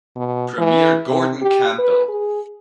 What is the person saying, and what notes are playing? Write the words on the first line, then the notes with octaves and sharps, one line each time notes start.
Premier Gordon Campbell.
B2
E3
C3
G4
B4
G#4